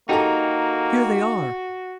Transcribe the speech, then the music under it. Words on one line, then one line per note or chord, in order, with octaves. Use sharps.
Here they are.
A#3 D#4 F#4 G4 A4 A#5